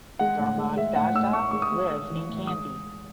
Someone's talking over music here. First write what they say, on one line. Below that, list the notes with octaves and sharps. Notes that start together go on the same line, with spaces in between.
Dharmadasa lives in Kandy.
G#3 F#5
A2
G#3
G#3 E5
A2 F#5
A2 E6
A2 C#6
G#3 C#6
D#6
G#3
G#3
E3
A2
G#3 D#6